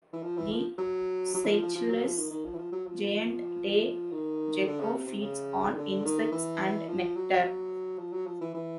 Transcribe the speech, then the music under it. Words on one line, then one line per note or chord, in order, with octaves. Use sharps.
The Seychelles giant day gecko feeds on insects and nectar.
E3
F3
E3
F3
F#3
F#3
E3
F3
F3
F3
F#3
F3
D#3
D#3
F3
E3
F3
F#3
F3
D#3
D3
C#3
C3
C3
C#3
D#3
D3
D#3
E3
F3
F#3
F3
F#3
F3
E3
E3